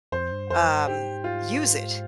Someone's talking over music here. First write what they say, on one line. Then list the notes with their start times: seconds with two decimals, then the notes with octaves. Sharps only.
um, use it
0.12 F2 C5
0.32 G2
0.50 F2 C5
0.69 G2
0.87 G#2 G4
1.24 F4